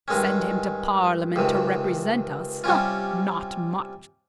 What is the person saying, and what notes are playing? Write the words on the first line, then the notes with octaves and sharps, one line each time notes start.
Send him to Parliament to represent us--not much!
G2 D#3 G#3 C#4
C#2 C3 D#3
C3 G3 C#4 F4